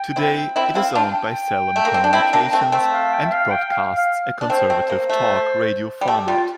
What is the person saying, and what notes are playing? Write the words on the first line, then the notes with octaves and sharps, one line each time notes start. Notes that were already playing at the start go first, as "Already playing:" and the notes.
Today, it is owned by Salem Communications and broadcasts a conservative talk radio format.
Already playing: G5
C4 E4
C4 E4 G5
C4 E4 F5
D4 F4 G5
G5
A3
A#3
C4
D4
C4 E4
A#3 D4
A3 C4
A3 C4
F5
G5
E5
F5
G5
F5
F5
D4
A3 C4 C5
A3 C4
A#3
A3
G3
A3 G4
G3 F4